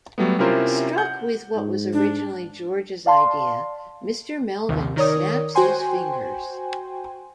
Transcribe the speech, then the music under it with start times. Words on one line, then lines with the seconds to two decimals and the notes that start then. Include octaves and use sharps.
Struck with what was originally George's idea, Mr. Melvin snaps his fingers.
0.18 F#3 G3 A3 B3
0.39 C3 C#4 E4 F4 A#4 C5
0.98 F#5 G6
1.56 G#2
1.93 D4
3.06 D5 F5 A5 C6
4.69 A#1 D#2 C3 D#3
4.96 D#3 D#4 A#4 C#5 D5 D#6
5.55 F#4 C5 G5 G#5 C6